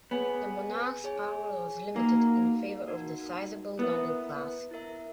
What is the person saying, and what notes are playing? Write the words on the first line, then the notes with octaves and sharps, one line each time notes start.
The monarch's power was limited, in favor of the sizable noble class.
B3 G#4 C#5 G#5
G#4 C#5 G#5
A#3 D#4 F#4 A#4
D#4 F#4 A#4
B3 E4 A#4 E5
E4 A#4 E5